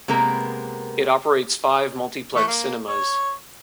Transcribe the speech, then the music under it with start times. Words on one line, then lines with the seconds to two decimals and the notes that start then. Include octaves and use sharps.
It operates five multiplex cinemas.
0.08 C3 G#3 A#3 B3 A#4
2.35 E3 A3 C#6
2.47 A#3
2.88 C#5